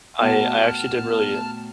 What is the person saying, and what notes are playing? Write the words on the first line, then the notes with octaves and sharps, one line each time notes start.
I I actually did really
A#2 F#3 A3 B3 G5 A5 F6